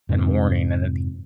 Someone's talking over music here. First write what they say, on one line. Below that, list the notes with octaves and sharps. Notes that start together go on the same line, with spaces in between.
and morning, and it
F2 G#2 C3